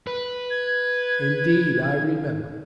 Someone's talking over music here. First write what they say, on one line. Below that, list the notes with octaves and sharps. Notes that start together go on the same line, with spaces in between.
"Indeed I remember."
B4
G#6